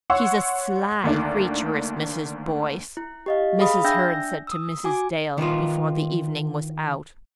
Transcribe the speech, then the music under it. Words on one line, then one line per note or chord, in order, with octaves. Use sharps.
"She's a sly creature, is Mrs. Boyce," Mrs. Hearn said to Mrs. Dale, before the evening was out.
C#5 F#5 C6 C#6 E6
D2 D#3 A#3 D4
E4
G4 D#5 F5
G#4 F5 B5 D#6
D4 E5 G5 E6 G6 A#6
D#6 E6
F#4 G#5 D6
D#3 E3 D#4 F4